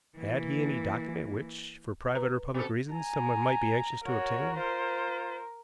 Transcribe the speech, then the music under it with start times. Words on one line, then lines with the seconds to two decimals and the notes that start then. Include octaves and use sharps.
Had he any document which, for private or public reasons, someone might be anxious to obtain?
0.18 E3 A#3
2.15 B4 A#5
2.54 B2 A4
2.92 G#5 A#5
4.07 F#4 A#4 C#5
4.56 F4 C5